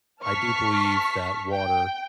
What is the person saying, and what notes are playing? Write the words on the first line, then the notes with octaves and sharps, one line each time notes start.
I do believe that water
A5 C#6 F6 B6
G5